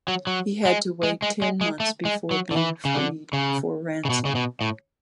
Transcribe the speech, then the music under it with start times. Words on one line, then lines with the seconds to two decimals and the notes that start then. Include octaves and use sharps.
He had to wait ten months before being freed for ransom.
0.08 F#3
0.27 F#3
0.65 G#3
1.03 G#3
1.22 G#3
1.42 G#3
1.61 G#3
1.80 A3
2.05 G#3
2.31 F#3
2.51 D3
2.57 E3
2.85 C#3
2.95 D3
3.33 C#3
4.05 C#3
4.10 B2
4.25 C#3
4.35 B2
4.61 A2